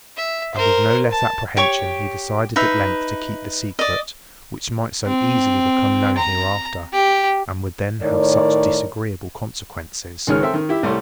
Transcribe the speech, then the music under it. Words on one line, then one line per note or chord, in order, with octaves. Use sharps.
And with no less apprehension he decided at length to keep the secret, which might so easily become known hereafter, and would then have such disagreeable consequences.
E5
A#4 C5
A5
G4 C#5 C#6
D#4 B4 E5
D5 D#5
C4
A#5
G4
A2 D#3 A#4 C#5 D5
C#2 D#3 G#3 C#5 F6
C4 A4 E5 G5 C6
D#3
E4 G4 E5
C2 G3 A3 C#5 C6